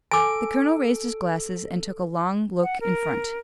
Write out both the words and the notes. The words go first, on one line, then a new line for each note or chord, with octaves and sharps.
The colonel raised his glasses and took a long look in front.
A4 G#5 D6 D7
F#5
A#4